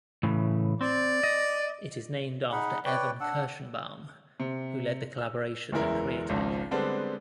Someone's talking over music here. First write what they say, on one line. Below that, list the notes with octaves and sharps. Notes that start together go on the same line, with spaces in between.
It is named after Evan Kirshenbaum, who led the collaboration that created it.
A2 C#3 E3
C4 D5
D#5
D#4 G#4 F#5 B5
B4 C#5 D5 G5
D4 F#5 E6
C3
E6
F#1 E2 G#3 E4 A#4
G#1 C#2 F3
D3 G3 G#3 B3 C4 D4